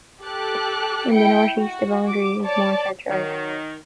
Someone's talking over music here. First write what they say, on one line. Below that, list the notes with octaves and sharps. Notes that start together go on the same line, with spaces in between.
In the north east the boundary is Morshead Drive.
G4 A4 D6 F#6
E4 G5 C#7 D7
F#4
D6
C#5 D5 A5 D6
D#3 F#3